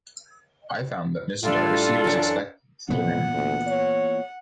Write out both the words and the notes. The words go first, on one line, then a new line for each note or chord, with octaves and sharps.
I found that Miss Darcy was expected to dinner.
A2 G3 D4 F4 A4
F#2 E3 D4
F2 A#2 E3 B3 F#5
D2
C#5